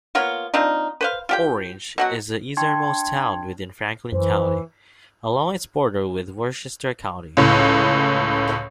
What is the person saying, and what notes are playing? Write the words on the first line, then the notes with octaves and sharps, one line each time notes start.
Orange is the easternmost town within Franklin County along its border with Worcester County.
A#3 B3 F4 C#5
C4 D4 D#4 F4
B4 C5 F5
F4 G4 G5
B2 F#3 F#4
D4 G5 A5 C6 C#6 G#6
F#2 E3 C5
C#2 A2